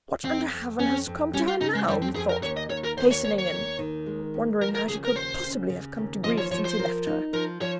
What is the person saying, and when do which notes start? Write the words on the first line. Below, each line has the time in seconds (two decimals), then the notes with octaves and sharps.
"What under heaven has come to her now?" he thought, hastening in, wondering how she could possibly have come to grief since he left her.
0.25 F2 C4
0.52 F2
0.79 F2 C#4
1.07 F2
1.33 G3 C#4
1.48 F4
1.61 C#3 D#4
1.75 G#3
1.88 F2 G3
2.02 C4
2.16 F2 G#4
2.29 A#4
2.43 D#2 C#5
2.57 D#5
2.70 D#2 C#5
2.84 A#4
2.98 D#2 C5
3.11 C#5
3.25 D#2 C#5
3.38 C#5
3.52 D#2
3.79 D#3
4.06 G#3
4.34 D#2
4.61 F3 A#4
4.75 A#4
4.88 C#3 G#4
5.05 A#4
5.16 D#2 C5
5.43 C#3
5.69 C#3
5.97 D#2
6.24 F3 D#5
6.38 C#5
6.51 F3 C#5
6.65 C5
6.79 A#4
7.07 D#4
7.33 F3 A#4
7.61 F3 C#5